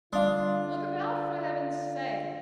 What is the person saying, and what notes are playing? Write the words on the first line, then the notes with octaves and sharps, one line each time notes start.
Look about, for heaven's sake!
D3 G3 D4 F4 F5 C6